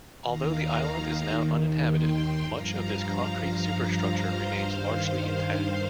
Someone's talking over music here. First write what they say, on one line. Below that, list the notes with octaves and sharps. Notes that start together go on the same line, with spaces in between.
Although the island is now uninhabited much of this concrete superstructure remains largely intact.
D#2 D#3 F5 A#5
D#2 D#3
G5 C6
G2 F3 F5 A#5
F5 A#5
G2 F3
C5 F5
G2 D#3